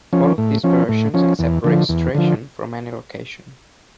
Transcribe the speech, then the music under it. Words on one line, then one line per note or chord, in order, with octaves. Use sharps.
All of these versions accept registration from any location.
F3 C#4
A2
F3 C#4
A2
F3 C#4
E2
D3 F3
E2
D3 F3